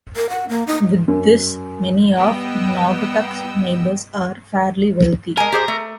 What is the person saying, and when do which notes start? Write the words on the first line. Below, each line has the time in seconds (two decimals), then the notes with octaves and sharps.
With this, many of Naugatuck's neighbors are fairly wealthy.
0.16 A#4
0.29 F#5
0.49 A#3
0.67 D#4
1.08 F#2
2.16 G3 B3 D#5 G5 E6
5.37 G#3 A#4 G#5
5.52 G4 G#4 C5
5.68 A3